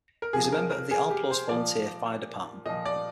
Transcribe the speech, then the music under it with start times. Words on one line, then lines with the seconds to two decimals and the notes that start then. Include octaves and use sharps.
He was a member of the Alplaus Volunteer Fire Department.
0.22 A#4
0.33 C3 G#4
0.36 F3
0.44 G#4
0.52 A#4
0.72 A#4
0.91 G#4
1.11 G4
1.30 C5
1.49 A#2 F3 D5
2.66 A#2 F3 D#5
2.85 D5